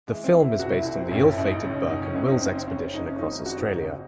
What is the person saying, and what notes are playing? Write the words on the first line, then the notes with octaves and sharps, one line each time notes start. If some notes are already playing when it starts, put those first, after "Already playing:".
The film is based on the ill-fated Burke and Wills expedition across Australia.
E3 G#3
C4
E1
E4
C2 F#4
E4
C2 E4
C4
A1 C#4
E4
A1
D#4
C#2 C#4
C#4
C#2 D#4
C#4
F#1 C#4
D#4
F#1 C4
C4
F#1 C#4
F#1 D#4
C#4
G#1 D#4
G#1 F#4
D#4
C#2 D#4